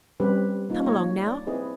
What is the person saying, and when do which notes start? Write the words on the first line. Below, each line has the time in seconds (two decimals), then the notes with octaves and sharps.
Come along, now.
0.20 G3 C4 C#4 G4 B4
0.69 A#3 D#4 F4
0.86 A#3 C#5 A#5
1.27 D5
1.47 C4 E4 G#4 B4 D#5